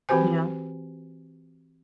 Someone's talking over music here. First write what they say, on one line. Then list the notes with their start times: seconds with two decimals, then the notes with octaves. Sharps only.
you know?
0.09 E3 C4 F#4 G4 C5 G#5